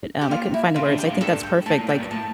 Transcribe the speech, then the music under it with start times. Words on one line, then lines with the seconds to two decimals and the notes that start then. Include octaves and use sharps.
um, I couldn't find the words. I think that's perfect, like
0.21 G4
0.30 A#2 F4
0.54 E4
0.76 C#3 F4
0.88 D3
0.99 G4
1.10 A2
1.21 G2 A4
1.43 G5
1.66 A2 A5
1.78 A#2
1.89 A#2 G5
2.00 G2
2.11 A2 A5